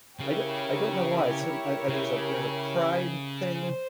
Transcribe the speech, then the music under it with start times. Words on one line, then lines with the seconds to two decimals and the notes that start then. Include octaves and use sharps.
I d I don't know why, it's some I I there's a there's a pride thing
0.20 C#3 E4 G4 A#4 C#5
1.89 C#3
3.58 C5